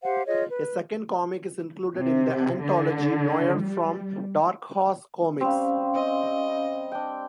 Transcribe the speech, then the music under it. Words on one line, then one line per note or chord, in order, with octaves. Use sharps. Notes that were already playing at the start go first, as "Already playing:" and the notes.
A second comic is included in the anthology "Noir", from Dark Horse Comics.
G4 C5 F5 F#5
F4 G#4 C#5 D#5
B4
C3
D3
G3
G3 C4 C#4 F5
C4 D#5
D4 G5